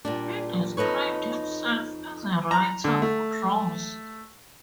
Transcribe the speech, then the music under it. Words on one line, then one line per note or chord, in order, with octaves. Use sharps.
He described himself as "a writer who draws".
A#2 G3 D4
F2 D#4 A4 B4 C#5
A#5
D3
A3